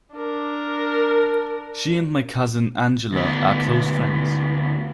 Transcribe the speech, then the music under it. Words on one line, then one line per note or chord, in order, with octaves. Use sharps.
She and my Cousin Angela are close friends.
D4 A#4
D2 B3